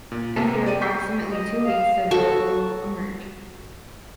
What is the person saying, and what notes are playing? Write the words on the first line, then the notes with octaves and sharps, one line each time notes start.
After approximately two weeks the adult will emerge.
A#2
C3 A#3 B3
G4 D5 D#7
C#6 G6 B6 C7
D#5
F5
F#4 A4 C#6